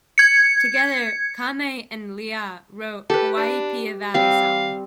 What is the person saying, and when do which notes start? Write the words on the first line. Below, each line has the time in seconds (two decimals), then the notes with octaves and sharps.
Together, Kamae and Li'a wrote "Hawaii Pia Valley Song".
0.18 G#6 C#7
3.10 G4 A4 B4
3.38 D4
4.14 G3 C4 F5